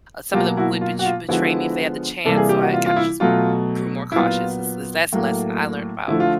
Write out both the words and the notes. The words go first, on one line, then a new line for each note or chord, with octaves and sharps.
some of them would bet betray me if they had the chance. So I kinda just g grew more cautious is, is that's the lesson I learned about
B2 F#3 A#3 F4 G4
E4 F#4
F4
F#4
F4
D3 F3 G#3 B3 E4 F#4
C3 E3 G3 A#3 A4
G#4
G4
F#4
F4
F4
E4
B2 F#3 A3 F4
E4
A#2 F#3 B3 F4
A2 F#3 A#3
D3 F3 A3 E4
F4